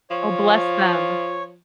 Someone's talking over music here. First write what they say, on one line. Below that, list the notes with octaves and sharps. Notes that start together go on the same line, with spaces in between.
Oh, bless them.
F3 C#5